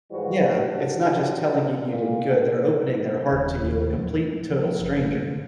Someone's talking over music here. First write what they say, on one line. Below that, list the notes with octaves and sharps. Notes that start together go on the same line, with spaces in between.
Yeah, it's not just telling you you did good, they're opening their heart to you, a complete and total stranger
G#2 E3 F3 G3 F#4
F#3 D4 G4
A#2
D4
D#1
D#2
F3
F3
F#1
D3